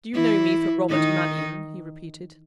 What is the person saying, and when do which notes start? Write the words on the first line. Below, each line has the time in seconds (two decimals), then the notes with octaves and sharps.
"Do you know me for Robert Mannion?" he repeated.
0.14 E3 E4
0.89 D#3 D#4